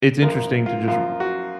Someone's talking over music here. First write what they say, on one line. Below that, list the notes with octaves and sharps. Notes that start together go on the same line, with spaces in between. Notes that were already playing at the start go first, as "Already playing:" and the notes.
it's interesting to just r r
F#2 F3 A#3 A#4
F4
F#2 F3 A#3 F4
F#4